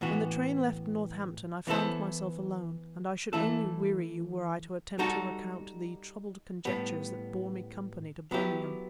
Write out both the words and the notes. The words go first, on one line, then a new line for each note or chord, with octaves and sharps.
When the train left Northampton I found myself alone, and I should only weary you were I to attempt to recount the troubled conjectures that bore me company to Birmingham.
A2 E3 B3 F#4
E3 B3 E4 A4 C5
E3 A3 E4 A4
G3 D#4 F#4 A4
A2 G3 B3
F#3 B3 E4 G4